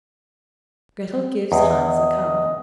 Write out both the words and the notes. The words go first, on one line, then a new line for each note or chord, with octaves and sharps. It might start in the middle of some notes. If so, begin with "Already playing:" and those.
Grettel gives Hans a calf.
E2 D#5
D#5